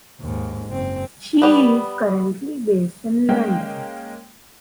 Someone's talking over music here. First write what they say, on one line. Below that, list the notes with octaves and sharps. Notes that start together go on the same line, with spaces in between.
She is currently based in London.
D#2 G#2
F#1 C4
G3 B3
G#3 A#3 C#4 G5